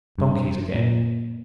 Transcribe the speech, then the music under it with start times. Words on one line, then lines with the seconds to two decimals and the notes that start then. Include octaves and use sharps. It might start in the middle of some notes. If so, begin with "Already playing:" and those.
Donkeys again.
0.18 G2
0.74 A#2